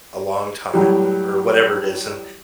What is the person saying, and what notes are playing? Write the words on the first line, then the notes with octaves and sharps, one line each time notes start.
a long time or or whatever it is, and,
A2 F#3 G3